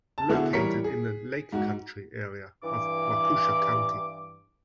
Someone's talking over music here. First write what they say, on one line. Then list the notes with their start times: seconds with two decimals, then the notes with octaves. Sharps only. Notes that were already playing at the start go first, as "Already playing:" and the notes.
Located in the "Lake Country" area of Waukesha County.
0.18 A5
0.29 D3 A3 B3 E4 F#4 G#4
0.53 E3 G3 A#4 C#5 B6 C#7
0.84 G#4
1.52 G#2 F#4
2.63 G2 E3 D6